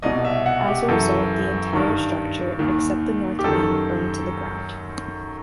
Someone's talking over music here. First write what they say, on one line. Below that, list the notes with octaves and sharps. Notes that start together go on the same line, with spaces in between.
As a result, the entire structure, except the north wing, burned to the ground.
C2 B2 D#5
E5
F#5
G4
F#2 E3 A4
G2 D#3
D#2 D#3
G4
F#2 D#3 A4